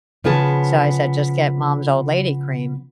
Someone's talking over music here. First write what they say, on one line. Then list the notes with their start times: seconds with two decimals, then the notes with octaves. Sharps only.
So, I said, "Just get mom's old lady cream,"
0.24 C#3 F3 B3 G#4 A5